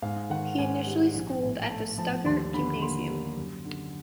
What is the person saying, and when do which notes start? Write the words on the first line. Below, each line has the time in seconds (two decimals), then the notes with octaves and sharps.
He initially schooled at the Stuttgart Gymnasium.
0.02 G#2 F5
0.30 D#3 F#5
0.58 G#2 G#5
0.86 G3
1.14 A#1
1.42 A2
1.70 A3 A5
1.98 F3 A5
2.25 D#2 C6
2.53 D3 B5
2.82 A#3 C6
3.09 G3
3.38 F#2
3.65 D3